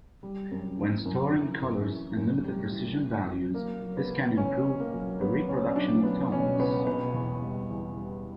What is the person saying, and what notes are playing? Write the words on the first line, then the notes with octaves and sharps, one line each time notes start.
When storing colors in limited precision values, this can improve the reproduction of tones.
G3
F#2
E3
F#2
E3
F#2
E3
F#2
G3
E3
E3
F#2
F#3 A#3
F#3
B3
C#2
C#2 C#4
C#2
A#3
F#3
F#3 B3
C#2 C#4
F#3 D4
F#3 B3
B2 C#4
C#2 B3
B2 B3
E2
G3
E2
G3